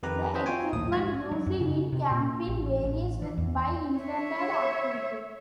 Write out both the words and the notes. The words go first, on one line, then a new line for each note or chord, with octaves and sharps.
The equipment used in camping varies with by intended activity.
F2 D#3 D#4 G4 B4 A#5
C#4 E4 B4 C5 D#5 E5
C4 F4 F#4 C#5 G5 G#5
A#1 D#2 A2 D#6
G#2 E5 G#6
F#3
F#2
C#3
C3
A#2
A1
A1
E3
E2
C#5 E5